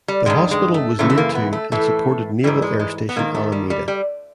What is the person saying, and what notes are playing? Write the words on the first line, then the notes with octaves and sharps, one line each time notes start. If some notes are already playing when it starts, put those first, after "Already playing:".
The hospital was near to and supported Naval Air Station Alameda.
G3
G2 D#3 G#3
G#3
A3
F#2 C#3 E3 A3
A3
A#3
B3
A3
A2 E3 A3
G#2 E3 G3
G#3
G#3
B3
G#2 D#3 A#3
A3
G3
G3
G3